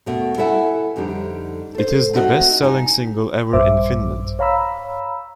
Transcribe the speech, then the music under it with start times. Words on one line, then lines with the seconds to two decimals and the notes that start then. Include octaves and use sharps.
It is the best selling single ever in Finland.
0.06 D#2 B2 A3
0.38 E4 A4 B4 E5 F#5 G#5
0.96 F2 D3 G3 D#4 G4
1.74 A4 C5
2.13 A3 C4 D#4 F#4 C5 D#5
2.62 D2 D#4 G#5 A5
3.53 A#1 G2 C5 E5 D6
4.39 C#5 F5 A#5 B5 E6